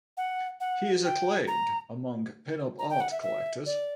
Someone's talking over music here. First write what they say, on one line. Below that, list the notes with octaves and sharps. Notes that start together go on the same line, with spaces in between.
He is acclaimed among pin-up art collectors.
F#5
F#5
G5
A#5
A#5
G5
F#5
E5
E5
D5